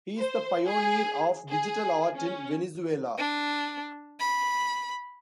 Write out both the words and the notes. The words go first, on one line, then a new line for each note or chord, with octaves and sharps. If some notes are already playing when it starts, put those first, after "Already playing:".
He is the pioneer of digital art in Venezuela.
C5
G#4
G#4
C#4
D4
B5